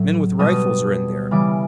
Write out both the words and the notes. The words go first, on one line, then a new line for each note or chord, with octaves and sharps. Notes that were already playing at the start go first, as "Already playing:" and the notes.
Men with rifles are in there.
Already playing: A2 F#3
B2 G3 D#6
C#3 E3 G3 D6